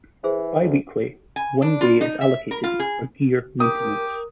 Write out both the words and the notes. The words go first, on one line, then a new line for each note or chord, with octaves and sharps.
Biweekly, one day is allotted for gear maintenance.
E3 G#4 C5
D2
G#5
D4
F4
D#4
E5
A#4
F4
G#4
G4 A#4 D#6